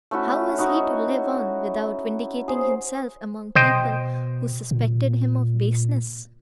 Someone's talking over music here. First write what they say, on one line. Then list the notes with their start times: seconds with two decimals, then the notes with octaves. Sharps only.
How was he to live on without vindicating himself among people who suspected him of baseness?
0.11 A3 C#4 E4 F#4
0.58 D#4 E4 F#4
2.48 G#4 C5
3.55 B2 C5 D#5 G5
4.71 A#2